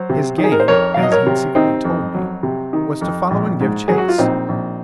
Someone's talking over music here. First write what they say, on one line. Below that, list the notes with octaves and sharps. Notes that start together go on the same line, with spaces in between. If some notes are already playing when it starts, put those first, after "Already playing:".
His game--as he'd secretly told me--was to follow and give chase.
Already playing: F#3 C5
C3
D#3
G#4
A#4
C5
F2 A#4 C#5
F#3 F5
D#5
A#4 C#5
C3
D#3 C4 D#4
F2
F#3
C3
D#3
F2
A#1
G#2
F#3 G#4
F#4
F4
A#1 C4 D#4
A#1